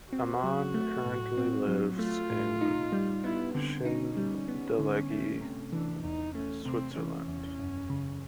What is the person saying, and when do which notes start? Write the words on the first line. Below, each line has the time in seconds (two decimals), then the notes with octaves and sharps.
Ammann currently lives in Schindellegi, Switzerland.
0.13 C4 F#4
0.44 F#3
0.74 A3
1.06 A2
1.37 C4
1.68 F#3
1.99 A3 F4
2.30 A2
2.61 D#4
2.92 G3
3.24 B3 E4
3.54 D3 C4
3.85 C#4 D#4
4.17 G3 C#4
4.48 B3
4.79 D3
5.11 A3
5.41 C3
5.72 E3 D4
6.03 E2 D#4
6.35 A3 C#4
6.65 C3 C4
6.97 E3 C#4
7.28 E2
7.59 F#2
7.90 C#3